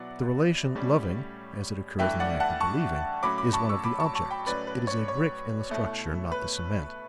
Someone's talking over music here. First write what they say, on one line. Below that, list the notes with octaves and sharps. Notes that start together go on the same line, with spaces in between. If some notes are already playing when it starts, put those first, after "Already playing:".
The relation 'loving', as it occurs in the act of believing, is one of the objects--it is a brick in the structure, not the cement.
Already playing: B2 F#3 B3 E4 D5 F#5
A2 G3 C#4
G2 E3 A3 E5 G5
D5 F#5
F#5 A5
A5 C#6
A2 F#3 C#4 B5 D6
B5 D6
A5 C#6
C#6 E6
B5 D6
A5 C#6
A5 C#6
G5 B5
A2 F#3 C#4 B4 D5
B4
C#5
C#5
B2 A3 E4
B4